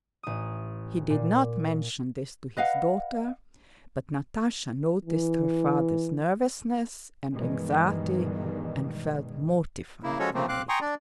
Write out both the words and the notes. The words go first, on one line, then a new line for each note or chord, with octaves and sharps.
He did not mention this to his daughter, but Natasha noticed her father's nervousness and anxiety and felt mortified by it.
A1 D#6
A#2
B4 D#5 F5 F#5
E3
G2 B2 D#3 E3 G3 G#3
C#3 A#3 E4
F3 G#3 C#4 F#4 A4 C#5
C#3 F3 A3 A#3 C4
C4 F5 D6 F#6
G5 G#5 A#5 C6 C#6 D#6
D4 D5